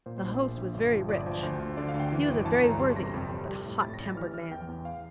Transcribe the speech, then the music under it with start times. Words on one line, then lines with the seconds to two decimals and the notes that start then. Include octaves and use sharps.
The host was very rich. He was a very worthy but hot-tempered man.
0.06 A#2 C5
0.18 A#1 C5
0.40 A#2
0.57 A#1
0.74 G1
0.92 F3
1.09 G1 D5
1.26 F3
1.43 D2 C5
1.59 D2
1.77 D3 D5
1.89 F5
1.94 D2
2.00 G5
2.12 E3
2.28 G1
2.45 E3 A5
2.63 G1 A#5
2.80 G3 C6
2.96 C3 A#6
3.14 F2
3.32 F2
3.49 G3
3.66 A2
3.82 A2 A6
3.94 A#6
4.00 A1
4.06 A6
4.17 E3 F6
4.34 E3 F6
4.51 E2 G5
4.68 E2
4.85 F5